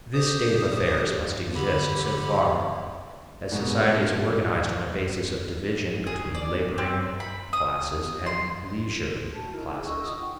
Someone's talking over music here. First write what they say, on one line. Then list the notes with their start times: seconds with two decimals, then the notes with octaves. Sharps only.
This state of affairs must exist so far as society is organized on a basis of division between laboring classes and leisure classes.
0.14 G4 C5 D#6
1.56 D3 G4 B5
3.52 G#2 B2
6.07 G#4
6.35 D5
6.78 C4
7.20 B5
7.53 D#6
8.26 C6
9.33 F#4 A5
9.52 D#4 E4 A#4
9.73 G#4
9.86 D4 D#5 C#6 E6
10.03 F4 D#6
10.19 D#4 F#5 G5 C#6